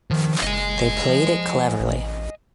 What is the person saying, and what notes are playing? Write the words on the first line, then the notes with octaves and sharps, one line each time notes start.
They played it cleverly.
D#3 F3
F#1 D#5 G#5
F3
A1